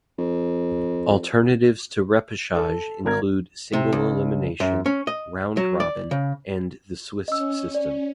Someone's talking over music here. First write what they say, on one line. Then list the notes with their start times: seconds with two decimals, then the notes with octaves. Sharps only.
Alternatives to repechage include single elimination, round robin, and the Swiss system.
0.18 F2
2.55 A4
3.05 G#1 A#4 G#6
3.73 C3
3.93 C#2
4.60 F#2
4.86 C#4
5.07 D#5
5.57 F#3
5.80 D5
6.11 C#3
7.28 C#4 D#5 E6
7.75 D5